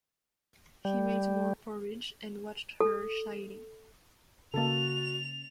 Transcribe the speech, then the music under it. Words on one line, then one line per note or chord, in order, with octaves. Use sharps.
He made more porridge and watched her shyly.
G3
A4
C#3 A#3 F#4 A4 A6 F7